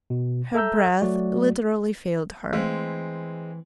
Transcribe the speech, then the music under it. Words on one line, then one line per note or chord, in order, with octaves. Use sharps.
Her breath literally failed her.
B2
A4 E5 A#5 E6 G6
F#3 A3 F#4 D5
E3 G#3 A3 C4